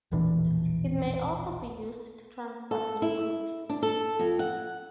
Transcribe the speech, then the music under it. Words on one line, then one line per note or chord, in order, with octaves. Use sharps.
It may also be used to transport liquids.
E1 A#1 E3 D4
A4
E4
D4
A4
F2
F#5